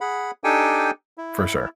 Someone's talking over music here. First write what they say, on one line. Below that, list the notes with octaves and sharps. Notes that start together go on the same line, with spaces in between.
For sure.
G#4 F#5 B5
D4 D#4 G4 A4 G5 G#5
E4